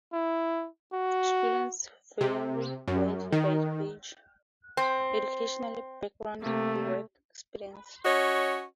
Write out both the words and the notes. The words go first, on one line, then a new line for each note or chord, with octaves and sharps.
Students vary widely by age, educational background, work experience.
E4
F#4
C3
F#2
D#3
C4
C3 A3 A#3
C#4 F#4 C#5 D#5